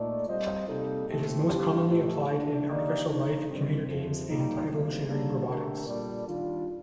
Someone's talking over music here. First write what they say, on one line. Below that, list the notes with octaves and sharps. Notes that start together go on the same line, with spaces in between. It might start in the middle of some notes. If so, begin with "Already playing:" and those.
It is most commonly applied in artificial life, computer games, and evolutionary robotics.
Already playing: A#2 A3 D#4 A4 D5
G3 C4 F4 C5 D#5
C3 G3 A#3 D#4 A4
A#2 A3 C4 D#4 G4
G2 F3 C4 G4
A2 A3 D#4 G4
D#2 D3 A3 D4
D#3 A#3 D#4 G4 D5
D3 F3 A#3 D#4
G2 D#3 G3 C4
F2 C3 F3
A#2 G3 A#3 D#4
D2 C3 G3 A#3 D#4
D3 G3 A#3
D3 A3 C4 G4 A#4
A#2 G3 D4 A4 D5
D#3 G3 D4 F4